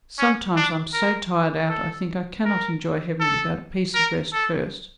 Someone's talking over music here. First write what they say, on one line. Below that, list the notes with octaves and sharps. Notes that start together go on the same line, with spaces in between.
Sometimes I'm so tired out I think I cannot enjoy heaven without a piece of rest first.
C#4
D4
A#4
A4
A#4
A4
A#4
A4